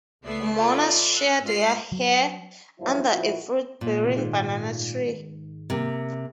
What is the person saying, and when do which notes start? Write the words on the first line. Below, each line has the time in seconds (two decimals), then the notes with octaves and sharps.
Mourners shear their hair under a fruit-bearing banana tree.
0.23 C#2 A3 B3 D5 E5 C7
0.55 F4 A4 B4 D5 E5
1.14 E6 F#6
1.43 G#2 F4 D#5 F6 C7
1.92 F#3
2.80 A#1 G2 F3 F#3 E4 C5
3.12 A#2 F3 E4 F#4
3.81 A#2
4.04 C3 E3
4.16 G#2 D#3 G#3
5.70 C3 A#3